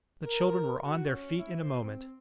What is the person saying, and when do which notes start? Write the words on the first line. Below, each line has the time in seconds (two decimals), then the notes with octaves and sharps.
The children were on their feet in a moment.
0.25 A#4
0.82 F#4
1.06 C#4
1.38 E4
1.61 C5
1.81 C4